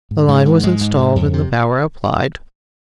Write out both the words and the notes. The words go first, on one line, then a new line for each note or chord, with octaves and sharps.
The line was installed and the power applied.
G#2
G#2
G#2
G#2 G#3
G#2
G#2
F2
C3